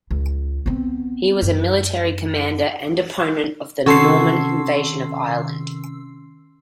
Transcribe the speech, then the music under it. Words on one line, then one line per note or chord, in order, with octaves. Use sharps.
He was a military commander and opponent of the Norman invasion of Ireland.
C#2
B3 C4
F#2
C3 D#3 C#4 F#4 A4 C6 E6 C7